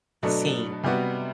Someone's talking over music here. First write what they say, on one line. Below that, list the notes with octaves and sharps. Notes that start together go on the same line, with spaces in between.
the same
B2 F#3 A3 D4
C3 G3 B3 F#4